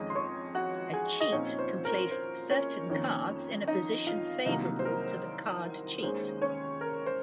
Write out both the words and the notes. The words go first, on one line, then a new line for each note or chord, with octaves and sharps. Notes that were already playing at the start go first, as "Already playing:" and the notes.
A cheat can place certain cards in a position favorable to the card cheat.
Already playing: F2 D#3 G#3 C#4 D#5 D#6
C6
C#5 C#6
F#4 F#5
G#4 G#5
D#5
A#2 F3 C4 C#4 D#4 C#5
C5
A#4
C5
C#4 C#5
F2 D#3 A#3 C#4
D#4 D#5
F4 F5
C2 C3 D#3 F#3 A#3 D#4 D#5
C5
A#4
D#2 D#3 G#3 C#4 C5
C#4 C#5
A#4
C5